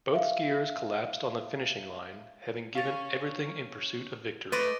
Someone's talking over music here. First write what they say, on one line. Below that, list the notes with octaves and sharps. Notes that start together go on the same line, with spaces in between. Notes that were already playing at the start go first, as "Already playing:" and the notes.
Both skiers collapsed on the finishing line, having given everything in pursuit of victory.
E5 F5
C#4 C#5 F5 A6
A3 B4 D5 D#5 C6 A6